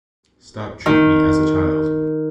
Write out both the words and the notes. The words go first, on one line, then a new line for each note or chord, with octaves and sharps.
Stop treat me as a child.
D#3